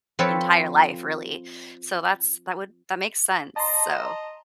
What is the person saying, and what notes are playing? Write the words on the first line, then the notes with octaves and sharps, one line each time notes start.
entire life, really, so that's that would that makes sense. So,
F3 C4 A4 B4 C#5
D#5 A5 A#5 C6